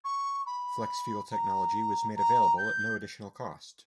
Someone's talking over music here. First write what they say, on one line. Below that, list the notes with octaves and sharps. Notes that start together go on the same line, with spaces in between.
Flex-fuel technology was made available at no additional cost.
C#6
B5
A#5
A#5
G6